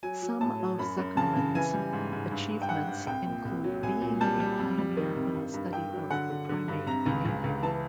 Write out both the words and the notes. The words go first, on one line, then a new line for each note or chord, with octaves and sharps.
Some of Zuckerman's achievements include being a pioneer in the study of primate behaviour.
F#3 G#5
F#3
A2 A5
F#3
F#2 B5
F#2
C#3 A5
C#3
E3 G#5
G3
G#2
G#2
G2
G2
G5
G2 F#5
G2
C2 G5
A#2
C2
F#3
C2 G#5
A#2
G3 A5
G3
F2
G3
D#3
C3
G2
G2
G2 G5
F#3
D3 F#5
D3
D3
G2
C3 A#5
C#2
C#2
C#2
E3 A5